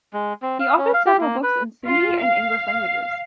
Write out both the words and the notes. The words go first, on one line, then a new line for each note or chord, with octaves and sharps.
He authored several books in Sindhi and English languages.
G#3
C4
F5
C#4
F5
G4
A#3
B4
F4
F5